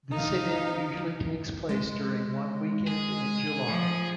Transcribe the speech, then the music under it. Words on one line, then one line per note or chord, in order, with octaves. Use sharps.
This event usually takes place during one weekend in July.
D#4 F5
G#3
G#4
F3